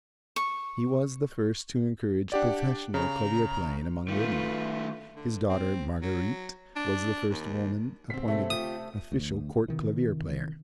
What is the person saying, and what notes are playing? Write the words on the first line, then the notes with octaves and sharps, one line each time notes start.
He was the first to encourage professional clavier-playing among women. His daughter Marguerite was the first woman appointed official court clavier player.
C#6
D4 G4 D5 F#5
C#3 A#5
D#3 A3 F4 B4
D3
C4
F#3
D4
D#2
D2 B2 C4 B6
C3 A3 C#4 D4
F4 G4 D#6
D2
C3 D#3 E3